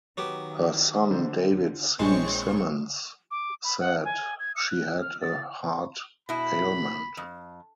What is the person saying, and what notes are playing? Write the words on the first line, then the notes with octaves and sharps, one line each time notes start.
Her son, David C. Simmons said she had a heart ailment.
D#3 F#3 B3 G4
D3 C5
A#1 G#3 C4 C#5 G#5 A5 C6 C#6
D6
B5
F#5
G#5
G#6
C#7
F#6
F6
A6
B2 E4 B5
F2